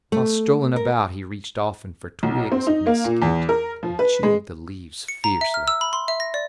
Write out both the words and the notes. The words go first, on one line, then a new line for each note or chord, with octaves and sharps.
While strolling about he reached often for twigs of mesquite and chewed the leaves fiercely.
A3
A#4
B1
C4
D#4
A#3
A#2
E2
A#4
F3
B4
G#3
C#7
A#5
E5
F6
E6
B5
C6
E5
A#6
D5